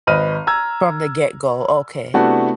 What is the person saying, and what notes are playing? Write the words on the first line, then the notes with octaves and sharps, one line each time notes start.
From the get-go, okay.
G#1 B4 D#5 F6 D#7
A#5 E6 G#6
C3 A3 B3 D4 E4 F#4